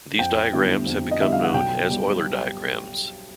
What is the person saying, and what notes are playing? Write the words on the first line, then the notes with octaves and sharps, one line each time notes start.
These diagrams have become known as Euler diagrams.
F2 G5
D3 G3 B3 E4
F2
D#5
D3 G3 B3 E4 E5
F5
F#5
B1 G5
B2 G3